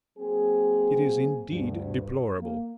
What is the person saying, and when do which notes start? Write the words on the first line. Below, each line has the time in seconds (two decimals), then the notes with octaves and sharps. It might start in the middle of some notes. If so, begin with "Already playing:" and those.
It is indeed deplorable.
0.18 F#3 A#3 C4 G#4
1.47 D2 G2
2.38 A#3